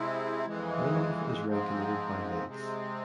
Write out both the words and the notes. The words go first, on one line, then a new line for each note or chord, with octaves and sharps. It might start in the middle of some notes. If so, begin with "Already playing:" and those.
Runoff is regulated by lakes.
Already playing: C3 G#3 C4 E4
F2 E3 G#3
G#2 F3 G#3 C4
C3 G#3 C4